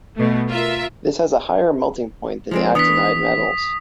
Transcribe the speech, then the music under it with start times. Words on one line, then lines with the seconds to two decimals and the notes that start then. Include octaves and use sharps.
This has a higher melting point than the actinide metals.
0.16 B2 A3
0.50 F4 A#4 E5
2.51 F3 G#3 C4
2.75 E3 B3 D4 D#6 B6